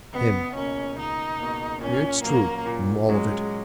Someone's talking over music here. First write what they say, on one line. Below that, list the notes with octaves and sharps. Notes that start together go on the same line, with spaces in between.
HIM: It's true, all of it.
C#2 B3
B2 A#3 C#4
C#2 D#4
B2 A#3
A#2 C#4
F#3 A#3 C#4
A#2
F#3 G#3 C#4